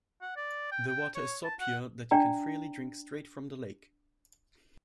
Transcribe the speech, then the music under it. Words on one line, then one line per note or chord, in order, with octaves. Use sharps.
The water is so pure, that you can freely drink straight from the lake.
F#5
D5
G5
G5
C#5
A5
F#5
D4 D5 G5 A#5